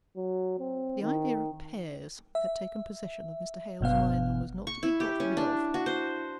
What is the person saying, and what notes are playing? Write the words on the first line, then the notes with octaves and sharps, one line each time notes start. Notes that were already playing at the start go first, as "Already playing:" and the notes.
But the idea of pears had taken possession of Mr. Hale's mind, and was not to be got rid of.
F#3
C4
D#3
E5
G1 B2 B3 F5
C#6
E4
G4
C#4
D4
F#4
C5